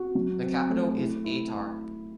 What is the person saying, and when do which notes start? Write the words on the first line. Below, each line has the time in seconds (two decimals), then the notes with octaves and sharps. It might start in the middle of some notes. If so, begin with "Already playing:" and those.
The capital is Atar.
Already playing: F#4
0.15 F#3
0.42 C4
0.69 A3
0.97 E4
1.24 E4